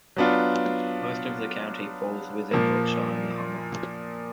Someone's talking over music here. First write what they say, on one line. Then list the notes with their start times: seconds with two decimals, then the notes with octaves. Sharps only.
Most of the county falls within Yorkshire and the Humber.
0.17 F#3 B3 D4 F4
2.51 A#2 F3 A#3